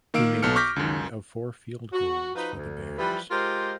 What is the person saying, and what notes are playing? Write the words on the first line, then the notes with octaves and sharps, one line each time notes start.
He made three of four field goals for the Bears.
D#3 A#3 F5 E6 D7
B1 B3 A4 F6 C#7
C#6 D6 F6 G6 A#6 B6
C#2 F#2
F#4
F3 D#4 F#4 B4
D2
E3 F3 G3 B4
G#3 F4 G4 A#4 C5